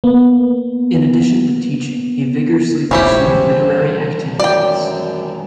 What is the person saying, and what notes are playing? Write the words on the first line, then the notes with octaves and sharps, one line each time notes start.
In addition to teaching, he vigorously pursued literary activities.
A#3 B3
D#1 A#1 G#2 C#4 E4 G4 C5
D#3 E3 G3
F#2 D5 G5